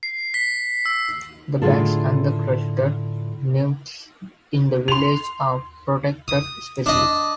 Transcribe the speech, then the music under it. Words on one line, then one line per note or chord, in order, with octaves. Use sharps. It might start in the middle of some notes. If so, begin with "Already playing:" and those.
The bats and the Crested Newts in the village are protected species.
C7
B6
E6
A2 D3 F4 G#4 A4
C6 F7
D#6
D4 D#5